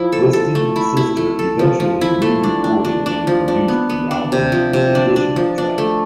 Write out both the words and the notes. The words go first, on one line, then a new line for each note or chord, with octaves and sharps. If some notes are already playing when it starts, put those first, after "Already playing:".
Twisted Sister eventually re-recorded and produced the album with additional tracks.
Already playing: F3 E4
A4
A4
A3
E4
E4
A3
A4
F3
F3
E4
A3
D4
D4
D4
D4
F3
D4
B3
B3
D4
C3
F3
C3
D4
D4
F3
D4
A3